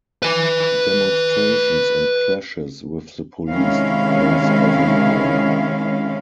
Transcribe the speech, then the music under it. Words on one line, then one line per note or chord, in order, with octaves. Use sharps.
Demonstrations and clashes with the police took place everywhere.
B4 G#5
C3 D#3 G#3 C#4 E4 F5